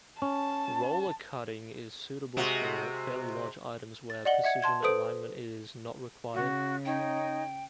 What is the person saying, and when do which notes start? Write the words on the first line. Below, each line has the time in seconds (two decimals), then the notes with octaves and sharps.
Roller cutting is suitable for fairly large items, where precision alignment is not required.
0.22 C#4 A5
2.37 C3 G#3 F#4
4.10 A6
4.25 D5 D#5 F#5 F#7 G7
4.44 E5 F#5 G#6 C#7
4.62 A5 C6 G#6
4.83 A4 B4 C5 D#6 D7
6.34 C#3 F#4
6.86 D#4 C#5 G5